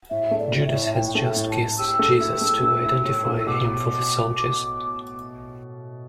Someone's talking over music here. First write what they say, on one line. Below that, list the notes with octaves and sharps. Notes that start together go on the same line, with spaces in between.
Judas has just kissed Jesus to identify him for the soldiers.
A2 E5
A3
D5
A2
D5
E5
A2
E5
E4 G5
A3 G5
E5
A2
A5
A2
G4 E6
A3
E4
A3
A3
E4
A2
A3
E6
B2 D6